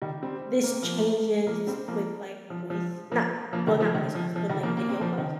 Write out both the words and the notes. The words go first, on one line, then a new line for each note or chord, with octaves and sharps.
this changes with, like, voice not well, not voice calls, but, like, video calls?
D#3 G3
G3 C4
A#3
C4
F3 A#3
F3 A#3
G3 C4
F3 A#3
F3
F3
F3 A#3
F3 A#3
D#3 G3
F3
D#3
F3
F3
D#3 G3
F3 A#3
A#3
C4
F3 A#3
D#3